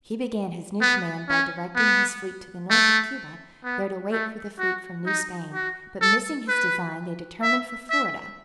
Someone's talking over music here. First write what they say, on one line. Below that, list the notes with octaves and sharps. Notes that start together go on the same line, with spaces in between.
He began his new command by directing his fleet to the north of Cuba, there to wait for the fleet from New Spain; but missing his design, they determined for Florida.
B3
C#4
B3
A3
B3
A3
F#4
D#4
F#4
A4
B4
E5
E5